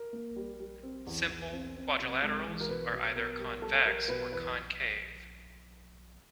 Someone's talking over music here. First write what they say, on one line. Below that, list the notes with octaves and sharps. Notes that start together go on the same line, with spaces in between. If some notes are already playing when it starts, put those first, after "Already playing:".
Simple quadrilaterals are either convex or concave.
Already playing: A#4
A#3
G3
G3
C4
E2
E2
C4
C4
C3
G#3
E3
A#4
B2 B4
B2
B3 A#4
G3
G3 A4
G3 A#4
B2 B4
E2 B4